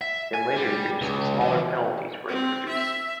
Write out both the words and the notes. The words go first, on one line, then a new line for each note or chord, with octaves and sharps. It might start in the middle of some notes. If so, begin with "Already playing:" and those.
In later years, smaller penalties were introduced.
E5
G#5
G3
C#2
E3
C4
E5